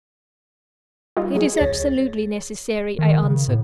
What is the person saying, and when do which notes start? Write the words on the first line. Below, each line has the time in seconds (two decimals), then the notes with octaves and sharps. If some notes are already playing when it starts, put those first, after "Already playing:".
"It is absolutely necessary," I answered.
1.17 G3 D#4 F4
1.35 F#3 G#4
1.57 D2 C#5 A6
2.99 D#3
3.23 C#3
3.48 A2